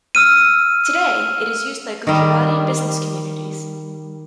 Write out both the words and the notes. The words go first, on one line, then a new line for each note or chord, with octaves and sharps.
Today it is used by Gujarati business communities.
E6 F6 D#7
D#3 G3